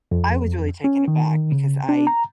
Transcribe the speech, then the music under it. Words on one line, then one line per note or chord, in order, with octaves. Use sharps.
I was really taken aback, because I
F2
C#4
D#3
C#3
D4
A#5